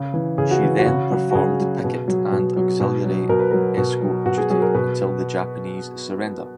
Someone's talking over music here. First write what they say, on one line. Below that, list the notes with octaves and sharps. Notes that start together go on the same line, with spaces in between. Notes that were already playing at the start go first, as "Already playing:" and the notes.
She then performed picket and auxiliary escort duty until the Japanese surrender.
Already playing: C#3
E3
C#3 G#4
F#4
E3
F#4
C#3
F#3
F#4
C#3 G#4
F#3
B2
F#3
B2
F#3
B2
F#3
B2 A#4
B4
F#3 A#4
B2
F#3
B2 F#4
G#4
F#3 G#4
A#4
B2 B4